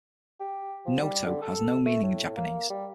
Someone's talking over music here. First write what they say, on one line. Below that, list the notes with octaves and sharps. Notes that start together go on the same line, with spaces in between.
"Noto" has no meaning in Japanese.
G4
F3
G3
D3
A4
A3
A2
A#3
G3